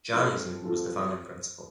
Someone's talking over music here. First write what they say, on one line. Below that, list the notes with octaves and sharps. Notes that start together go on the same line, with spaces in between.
Jann Eason was the founding Principal.
F3 C4 F4 A4
F3 C4 F4 A4